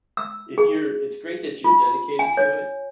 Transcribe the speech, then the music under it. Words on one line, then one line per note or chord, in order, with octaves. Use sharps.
if you're it's great that you're dedicated to it,
E6
G#4
F4
G#5
C#5